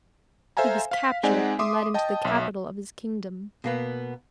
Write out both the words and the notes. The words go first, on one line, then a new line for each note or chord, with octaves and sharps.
He was captured and led into the capital of his Kingdom.
A4 C5 E5 F5 G#5 A#5
F5 B6
G#3 C4 D#4 D5 F#5 G#5
E5 C6 D6 D#6
D#5 G5 A5
B1 E5
B2 A#3 B3